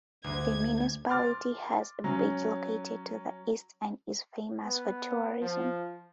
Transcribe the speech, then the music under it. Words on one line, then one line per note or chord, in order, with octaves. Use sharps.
The municipality has a beach located to the east and is famous for tourism.
D2 G#6
C6 D6 F6 A6
F#3 C#4
B3
F3